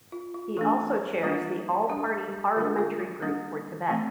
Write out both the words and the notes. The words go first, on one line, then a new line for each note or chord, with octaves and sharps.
He also chairs the All-Party Parliamentary Group for Tibet.
F4
F4
E3 A3 D4 A4
G3 A#3 D4 F4
G3 D4 G4
D3 G3 A#3 D4 F4
F4
G4
G3 A#3 D4
E3 A3 C4